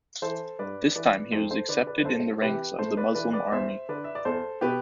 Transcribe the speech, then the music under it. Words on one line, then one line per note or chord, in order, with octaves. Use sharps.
This time he was accepted in the ranks of the Muslim army.
E3 A4 C5
G2 B4 D5
E3 B4 D5
F2 A4 C5
A4 C5
D3 B4 D5
B4 D5
B4
E2 A4 C5
C3 E3 G4 B4
A2 A4 C5
B4 D5
E3 B4 D5
B4 D5
E2 C5 E5
D3 B4 D5
E5
D5
E2 A4 C5
B2 G4 B4